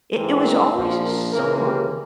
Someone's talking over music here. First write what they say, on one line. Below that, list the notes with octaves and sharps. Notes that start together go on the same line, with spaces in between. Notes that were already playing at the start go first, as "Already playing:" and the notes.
it it was always a song
G#2 E3 G#3 C4 A#4
A#4
A#1 A#2 F3
A#4
C#2 C#3 E3 A#3 A#4
G4